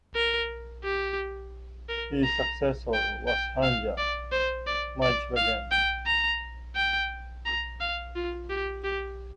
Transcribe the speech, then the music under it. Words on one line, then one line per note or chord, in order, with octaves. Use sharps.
His successor was Hanja Maij-Weggen.
A#4
G4
A#4
A#5
G5
G5
F5
D5
C5
D5
D5
F5
G5
A#5
G5
A#5
F5
F4
G4
G4